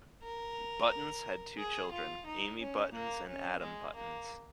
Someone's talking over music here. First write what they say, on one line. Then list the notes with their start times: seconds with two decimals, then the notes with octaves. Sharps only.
Buttons had two children, Amy Buttons and Adam Buttons.
0.23 A#4
1.58 G#4
1.91 F4
2.26 D#4
2.59 C#4
2.93 A#3
3.27 C#4
3.61 G#3
3.95 A#3